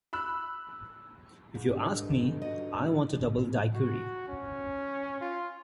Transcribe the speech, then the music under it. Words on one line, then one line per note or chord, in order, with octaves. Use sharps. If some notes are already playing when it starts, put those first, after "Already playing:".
If you ask me, I want a double daiquiri.
B5 E6 F#6
G#2
G2 D3 D#4
F#4 D#5
F#4
C#4
F4